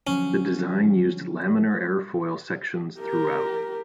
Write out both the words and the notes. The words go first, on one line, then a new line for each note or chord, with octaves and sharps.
The design used laminar airfoil sections throughout.
D3 F3 F#3 C#4
G4 A#4